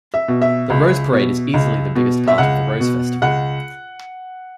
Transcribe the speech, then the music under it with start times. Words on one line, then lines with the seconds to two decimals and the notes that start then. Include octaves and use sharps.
The Rose Parade is easily the biggest part of the Rose Festival.
0.14 E5
0.28 B2
0.42 E5
0.70 C#2
1.12 B2
1.54 C#2
1.95 B2
2.28 E5
2.38 C#2 F#5
2.80 B2
3.22 C#2 F#5